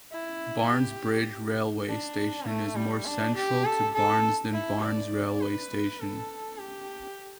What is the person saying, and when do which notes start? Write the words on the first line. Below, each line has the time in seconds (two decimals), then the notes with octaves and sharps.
Barnes Bridge railway station is more central to Barnes than Barnes railway station.
0.11 E4
0.70 G4
1.88 D4
2.47 A3
2.76 G3
3.05 D4
3.35 G4
3.65 A4
3.94 A4
4.53 E4
4.82 D5
5.41 B4
6.00 A4
6.59 G4